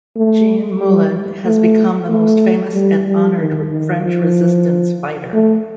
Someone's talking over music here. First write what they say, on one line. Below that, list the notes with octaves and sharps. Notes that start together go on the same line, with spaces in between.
Jean Moulin has become the most famous and honored French Resistance fighter.
A3
G3
A3
A3
G3
G3
D#3
D#3
F3
A3